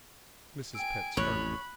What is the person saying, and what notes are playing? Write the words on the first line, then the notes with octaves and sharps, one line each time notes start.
Mrs. Pett started.
G5 G#5 E6 D7
A1 F2 C#5 B5 F#6 F#7